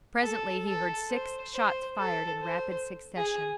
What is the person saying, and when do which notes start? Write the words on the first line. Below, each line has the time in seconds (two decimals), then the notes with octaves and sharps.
Presently he heard six shots fired in rapid succession.
0.21 A4
0.66 A4
1.09 C5
1.53 C5
1.98 A4
2.42 C5
3.17 G#4